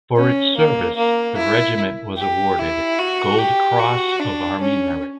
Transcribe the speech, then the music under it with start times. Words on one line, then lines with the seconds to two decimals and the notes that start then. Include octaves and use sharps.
For its service the regiment was awarded Gold Cross of Army Merit.
0.16 C#4
0.57 A#3
0.97 A#3
1.37 E4
2.18 G4
2.59 E4
2.99 F#4
3.39 G4
3.80 F#4
4.20 D4
4.60 C#4